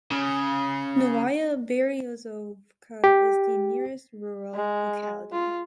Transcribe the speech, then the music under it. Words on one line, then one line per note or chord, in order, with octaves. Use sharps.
Novaya Beryozovka is the nearest rural locality.
C#3
G4
G#3
F4